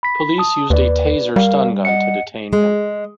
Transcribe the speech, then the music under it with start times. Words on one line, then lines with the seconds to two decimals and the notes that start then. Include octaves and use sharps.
Police used a 'Taser' stun gun to detain him.
0.03 B5 B6
0.38 A5 D#6
0.70 D#2 B4 D5
1.36 G3 A#4 F5
1.85 D#5 F#5 C#7
2.53 G#3